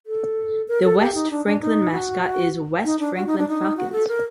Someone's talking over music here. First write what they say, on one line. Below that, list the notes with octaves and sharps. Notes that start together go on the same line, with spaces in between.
The West Franklin mascot is West Franklin Falcons.
A4
A#4
A4
G4
D#4
D4
D4
D#4
F#4
D#4
D4
F#4
D#4
D4
D#4
F#4
A4
A#4